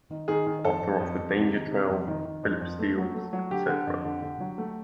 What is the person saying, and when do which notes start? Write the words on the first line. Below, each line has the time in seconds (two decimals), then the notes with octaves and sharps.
Author of the danger trail, Philip Steels, etc.
0.11 D#3
0.28 D#3 G#4
0.46 D#3
0.65 F2 A4
0.82 F2
0.99 F2
1.18 F2
1.36 C3
1.53 D#3
1.72 C3
1.89 F2
2.08 D#3
2.25 D#3
2.43 F2
2.61 F2
2.79 A3
2.98 F#3
3.15 A3
3.33 F#3
3.51 D3 G4
3.69 D3
3.87 F2
4.05 D3
4.22 D3
4.40 F#3
4.58 A3